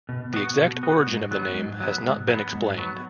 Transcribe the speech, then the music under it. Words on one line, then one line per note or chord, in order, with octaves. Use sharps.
The exact origin of the name has not been explained.
B2
B3 F#4
B2
B3 F#4
G#2
F#3 B3
G#2
F#3 B3
G#2
F#3
B3
G#2
F#3 B3